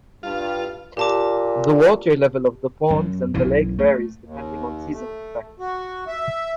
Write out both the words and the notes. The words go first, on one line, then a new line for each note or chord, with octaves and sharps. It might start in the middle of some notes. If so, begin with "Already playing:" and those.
The water level of the ponds and the lake varies depending on seasonal effects.
G2 F4
A#2 G4 A5 D6
F#2
B1 F#2 E3
A3
D#2
A3
F#4
E5